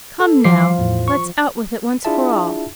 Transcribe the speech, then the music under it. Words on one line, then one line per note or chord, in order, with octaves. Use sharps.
Come now, let's out with it once for all.
A4
F3 D6 C7
E2 A2
C#6
D4 E4 F4 G#4 E5 A5